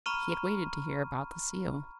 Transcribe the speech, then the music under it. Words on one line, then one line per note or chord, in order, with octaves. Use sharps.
He had waited to hear about the seal.
A#5 B5 C#6 F6 D#7